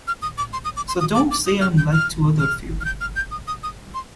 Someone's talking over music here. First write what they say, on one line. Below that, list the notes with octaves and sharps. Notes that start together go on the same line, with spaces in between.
So don't say I'm like to other few.
F6
D#6
D6
C6
D#6
D6
C6
D#6
D6
D6
D#6
F6
G6
F6
F6
F6
G6
F6
G6
D#6
D#6
D#6
C6